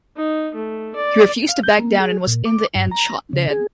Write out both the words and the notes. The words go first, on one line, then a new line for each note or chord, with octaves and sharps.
He refused to back down and was in the end shot dead.
D#4
A3
D5
F5
G6
A#3
G#4
A#2
D6
G2
A#5
C#3
G#4